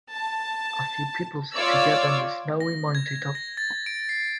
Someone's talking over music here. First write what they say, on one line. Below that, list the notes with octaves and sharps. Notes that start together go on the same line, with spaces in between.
A few people sit together on the snowy mountaintop.
A5
F4 C#5 D5 D6 E6
A#6
G#6
A#6
A6
D7
C7